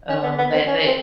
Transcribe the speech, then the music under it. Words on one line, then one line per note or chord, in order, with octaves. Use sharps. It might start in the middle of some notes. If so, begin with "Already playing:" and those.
um, that that
C#4
B3
B3
C4
C#4
C4